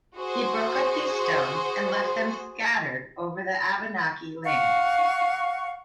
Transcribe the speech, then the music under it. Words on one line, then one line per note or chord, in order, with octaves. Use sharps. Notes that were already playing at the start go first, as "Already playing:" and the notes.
He broke up these stones and left them scattered over the Abenaki land.
F#4 G#4 C5
F5 F#5 C#6